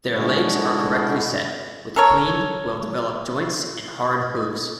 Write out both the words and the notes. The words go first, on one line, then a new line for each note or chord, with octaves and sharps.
Their legs are correctly set, with clean, well-developed joints and hard hooves.
G#2 D3 G#3 E4 F#4
A4 A#4 C#5